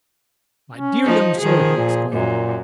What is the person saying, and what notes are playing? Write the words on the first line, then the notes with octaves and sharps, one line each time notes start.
"My dear young sir!" he exclaimed.
C#4
F3 D#4
D#3 F3 G#4
A#2
F#2 A#2